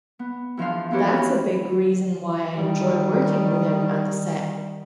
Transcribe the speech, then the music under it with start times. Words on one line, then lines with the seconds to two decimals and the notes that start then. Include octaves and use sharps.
That's a big reason why I enjoy working with him on the set.
0.19 B3
0.57 E2 F3 D4 F5
0.91 B3 E4 F#4 G4 A#4 C#5
1.12 B5
2.54 D#3 G3